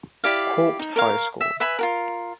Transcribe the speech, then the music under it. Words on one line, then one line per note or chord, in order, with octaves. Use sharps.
Corpse High School.
E4 G4 D5 F5
D#4
A#4 C#5 F5
E5
B4 E5 G#5 B5
F4 F#4 A#4